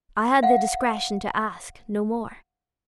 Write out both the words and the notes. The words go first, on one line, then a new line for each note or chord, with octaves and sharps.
I had the discretion to ask no more.
F5 F#5